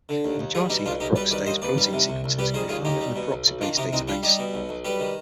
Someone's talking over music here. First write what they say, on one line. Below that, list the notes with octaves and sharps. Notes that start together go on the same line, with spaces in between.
A majority of peroxidase protein sequences can be found in the PeroxiBase database.
D3
D#2
D#2
G3 F4 G#4
B2 D#4 G4
B1 D4 F4
B1 D#4 G4
G3 B4 D5
D#3 B4 D5
D#2 C5 D#5
D#2 B4 D5
G3
C3
C2
C2
G3 G4 B4
D#3 G#4 C5
D#2 F4 G#4
D#2 D#4 G4
G3
B2
B1
B1
D#3 D4 F4
C3 D#4 G4
C2 C4 D#4
G3 D4 F4
G3 D#4 G4
B2
B1
B1
G3 G4 B4
D#3